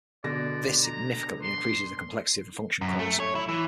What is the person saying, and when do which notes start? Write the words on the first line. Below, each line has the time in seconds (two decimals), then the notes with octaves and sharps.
This significantly increases the complexity of the function calls.
0.24 B2 D3 D5 A#6
0.84 A#5
1.42 C6
2.81 F#2
2.99 A3
3.20 C#5
3.35 E4
3.49 E3